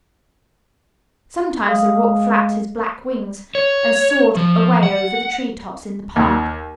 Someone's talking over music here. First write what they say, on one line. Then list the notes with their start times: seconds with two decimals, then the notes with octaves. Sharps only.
Sometimes the rook flapped his black wings and soared away over the tree-tops in the park.
1.68 G#3 F5 D#6
3.55 C#5
4.37 F3
4.83 F#5
6.16 D#2